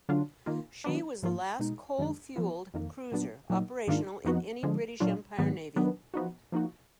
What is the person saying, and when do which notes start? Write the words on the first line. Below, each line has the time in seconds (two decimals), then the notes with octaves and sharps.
She was the last coal-fuelled cruiser operational in any British Empire navy.
0.09 D3 F#3 D4 F4
0.46 D#3 A#3 F4
0.84 D#3 F#3 B3 D4
1.22 G#2 F3 A#3 F4
1.60 B2 G#3 D#4
1.98 F#2 D#3 G#3 D4
2.36 F3 B3 F4
2.74 F2 D#3 A#3
3.12 A#2 F#3 B3 D4
3.50 A#2 F#3 A#3 D#4
3.88 G#2 D#3 A#3 D4 F4
4.25 F2 F3 B3 D#4 F#4
4.63 D3 F3 G#3
5.00 A#2 F#3 D4 F4
5.39 G#2 D#3 F#3 B3
5.76 D#3 F#3 B3 D4
6.14 F3 B3 D#4 F#4
6.52 F3 A#3 D#4 F#4